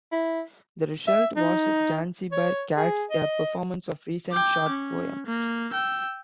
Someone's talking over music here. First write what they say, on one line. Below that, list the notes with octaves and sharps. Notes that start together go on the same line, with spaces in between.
The result was "Zanzibar Cats", a performance of recent short poems.
E4
E5
D#4
C#5
G#4
D#5
G5 D6
C#4
A#3
G5 E6